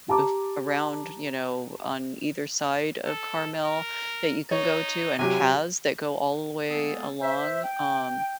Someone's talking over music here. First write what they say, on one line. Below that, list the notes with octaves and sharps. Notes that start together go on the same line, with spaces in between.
bef around, you know, on either side of Carmel that you can go to and paths that go all the way along, um,
G4 A5 A#5 D6
A4
A#4
D#4 C#5
C3 F#3 G4 G#5
G#3 A#3 B3 G#4 A4
C5 E5
G5